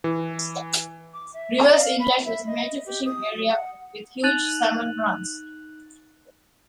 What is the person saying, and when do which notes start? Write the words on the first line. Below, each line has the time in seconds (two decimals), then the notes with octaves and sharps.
Rivers Inlet was a major fishing area with huge salmon runs.
0.04 E3
1.13 D6
1.34 E5
1.76 F5
2.00 B5
2.25 E5
2.47 D#5
2.86 G4
3.06 D#6
3.49 F#5
4.24 D#4 F#6 A6 D#7 F7 F#7